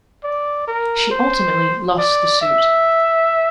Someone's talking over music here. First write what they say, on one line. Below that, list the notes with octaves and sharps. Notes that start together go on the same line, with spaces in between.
She ultimately lost the suit.
D5
A#4
C5
D5
E5